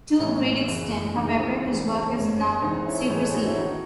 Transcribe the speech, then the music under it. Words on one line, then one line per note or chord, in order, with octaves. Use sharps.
To a great extent, however, his work is now superseded.
A1 A2 E3 C#4 E4
F#1 F#2 C#3 E3
C#2 C#3 E3 D#4
E4
C4 D#4
E1 E2 C#3 E3
C4
F#1 F#2 C#3 C#4
C#4
G#1 G#2 E3 C4 D#4
C#4 E4
A4
A1 G#2 E3 G#4 C5
A4 C#5
D#4 F#4
C#4 E4
D#3 D#4 F#4